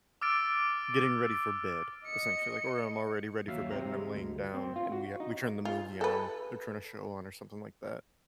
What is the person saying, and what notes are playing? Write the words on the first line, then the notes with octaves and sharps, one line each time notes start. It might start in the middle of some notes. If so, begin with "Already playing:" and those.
getting ready for bed, essentially, like, or I'm already ready for bed and I'm laying down and we, uh we turn the movie on, or turn a show on or something like that.
D6 E6 F6 A6 D7
D#5 C#7
D#2 F#3 E5 F5
C3 C4 A#5
G#3
D2
C4
F4
F#4
D#4
F4
A4 B4